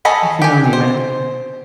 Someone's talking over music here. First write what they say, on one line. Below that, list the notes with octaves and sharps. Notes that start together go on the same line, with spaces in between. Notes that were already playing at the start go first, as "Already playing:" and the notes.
I can only imagine.
G#4 A4 C#5 D#5 B5
G4 G#5
C5